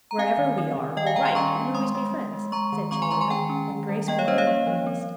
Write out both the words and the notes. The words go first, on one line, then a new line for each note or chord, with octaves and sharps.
"Wherever we are we'll write and always be friends," said Julia, and Grace warmly acquiesced.
A#5
C4 F5 G#5
D#3
C4
D#3
G3 D#5 G5
F5 G#5
D#3 G5 A#5
G#5 C6
C#4 A#5 C#6
C#4
G#3 C6 D#6
G#3
G#3
G#3
G#3 A#5 C#6
D#3
C4 A#5 C#6
G#5 C6
G#3 A#5 C#6
G#5 C6
D#3 G5 A#5
C#4
D#3
G3
A#3 D#5 G5
C#5 F5
C#4 C5 D#5
C#5 F5
A#3
F3
C4